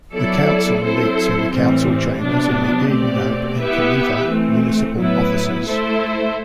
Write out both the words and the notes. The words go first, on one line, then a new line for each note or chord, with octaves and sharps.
The council meets in the council chambers in the Edenhope and Kaniva Municipal Offices.
F#3 B3 E4 A4 D5
F#3 C4 E4 A4 C5
A2 E3 G3 C4
C3 F#3 B3 D4
B2 A3 C4 G4 D5
B3 E4 G4 B4 E5
E3 A3 C4
A2 F#3 B3 E4 B4
A3 E4 A4 C5 E5